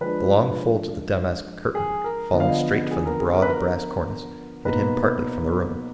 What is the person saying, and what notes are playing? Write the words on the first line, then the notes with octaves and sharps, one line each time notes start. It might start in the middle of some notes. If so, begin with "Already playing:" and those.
The long folds of the damask curtain, falling straight from the broad brass cornice, hid him partly from the room.
F3 G#3 D4 B4
G#4
A#4
D3 F3 B3 D4 D#5
F5
D#5
G#4
A#4
G#4
A#4
B4
A#4
B2 A#3 D#4 B4